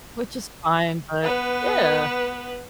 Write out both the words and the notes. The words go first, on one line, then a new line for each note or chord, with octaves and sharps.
Which is fine. But, yeah.
B3 B4